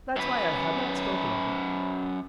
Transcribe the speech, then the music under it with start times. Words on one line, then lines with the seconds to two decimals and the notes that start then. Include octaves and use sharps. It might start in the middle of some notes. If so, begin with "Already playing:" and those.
That's why I had not spoken of it.
0.16 F#2 B4